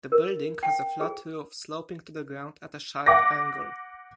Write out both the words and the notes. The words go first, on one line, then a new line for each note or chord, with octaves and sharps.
The building has a flat roof sloping to the ground at a sharp angle.
A#4
G5
G#4
F#5 D6 A#6